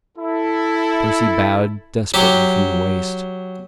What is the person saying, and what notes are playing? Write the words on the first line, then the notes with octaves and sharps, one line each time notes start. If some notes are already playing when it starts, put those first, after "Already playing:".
Percy bowed, desperately, from the waist.
E4 A4
F#3 G4